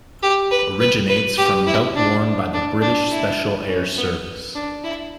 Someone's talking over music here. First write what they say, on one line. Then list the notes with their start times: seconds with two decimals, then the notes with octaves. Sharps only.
Originates from belt worn by the British Special Air Service.
0.23 G4
0.51 B4
0.80 B4
1.09 B4
1.38 G4
1.66 E4
1.96 D4
2.53 D4
2.82 D4
3.10 E4
3.68 C#4
3.97 B3
4.55 D4
4.84 E4